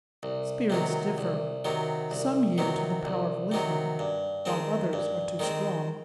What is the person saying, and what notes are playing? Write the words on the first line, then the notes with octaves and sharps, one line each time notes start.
"Spirits differ; some yield to the power of wisdom, while others are too strong."
C2
C3 D#3 F#3
C2
C3 D#3 F#3
C2
C3 D#3 F#3
C2
C3 D#3 F#3
G2
D#3 G#3 C4
G2
D#3 G#3 C4